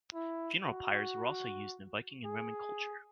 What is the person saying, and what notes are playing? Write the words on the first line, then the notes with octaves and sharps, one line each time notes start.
Funeral pyres were also used in Viking and Roman culture.
E4
F#4
G#4